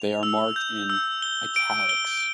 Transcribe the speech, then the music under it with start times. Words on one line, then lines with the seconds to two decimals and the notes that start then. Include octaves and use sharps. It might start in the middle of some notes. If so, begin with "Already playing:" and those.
They are marked in "italics".
Already playing: F7
0.23 E6
0.56 G6
0.90 E6
1.22 G7
1.56 D7
1.89 G7